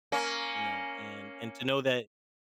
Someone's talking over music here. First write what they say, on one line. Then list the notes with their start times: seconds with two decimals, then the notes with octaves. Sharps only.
you know, and and to know that,
0.12 A#3 C#4